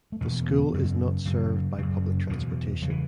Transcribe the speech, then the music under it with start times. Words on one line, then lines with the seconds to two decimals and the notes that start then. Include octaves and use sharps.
The school is not served by public transportation.
0.12 A3
0.21 E2 B2 B3
0.74 F#2 C#3
1.26 F#2 C#3
1.78 F#2 C#3
2.30 E2 B2 E3
2.82 C#3 F#3
2.90 E3